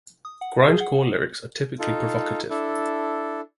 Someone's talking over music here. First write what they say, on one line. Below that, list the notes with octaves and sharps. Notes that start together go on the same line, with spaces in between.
Grindcore lyrics are typically provocative.
D#6
F#5
G#4
F#5
D#4 F4 A4
D4 E4 A4